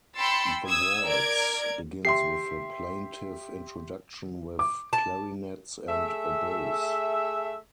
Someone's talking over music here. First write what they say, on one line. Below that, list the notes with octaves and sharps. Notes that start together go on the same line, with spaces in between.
The waltz begins with a plaintive Introduction with clarinets and oboes.
G5 B5 C6 E6 A6 C#7
D#6 E6 G#6
A#4 D5 G#6 D7
G4 E5 C6 C7
D6
A5
A3 G#4 E5